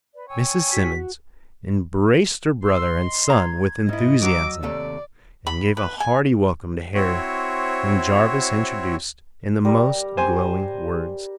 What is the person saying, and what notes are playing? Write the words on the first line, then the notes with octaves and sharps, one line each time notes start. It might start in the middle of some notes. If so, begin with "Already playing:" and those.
Mrs. Simmons embraced her brother and son with enthusiasm, and gave a hearty welcome to Harry, whom Jarvis introduced in the most glowing words.
B4 D5
C#5 G5 G#5 E6
F#4 B6
C6 E6
D#5
A#5 G#6
G#2 E4 D#5
F#3 F#4 A#5 D6 E6
D#2 C3 A3 D5 D6
B5
B4
G#5
C4 E4 F#4 C5 C#5
G3 A#4
C5 G#5